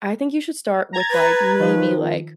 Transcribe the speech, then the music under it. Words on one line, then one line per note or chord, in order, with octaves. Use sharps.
I think you should start with like maybe, like,
A#5 G#6 A6
B4
D#3 F3